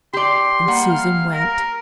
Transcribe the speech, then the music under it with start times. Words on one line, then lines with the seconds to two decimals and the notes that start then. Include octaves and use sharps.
And Susan went.
0.13 G4 D5 C6
0.68 G3 A#3 F#5
0.89 F5
1.34 A#4